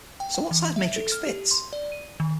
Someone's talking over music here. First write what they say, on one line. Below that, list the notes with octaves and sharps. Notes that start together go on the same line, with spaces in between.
So what size matrix fits?
G5
G5
E3
E5
A4
F6
G4
C6
D5
D#7
D#3